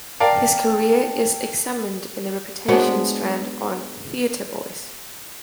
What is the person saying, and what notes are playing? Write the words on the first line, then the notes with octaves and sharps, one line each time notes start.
His career is examined in the Reputations strand on "TheatreVoice".
A#4 D5 F5 G5 A5
G#3 B3 D4 F#4 C5 C#5